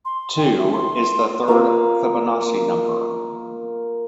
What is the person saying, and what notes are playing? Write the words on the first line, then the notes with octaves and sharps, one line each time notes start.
Two is the third Fibonacci number.
C6
G5
E5
C6
A#3 F4 D#5 F5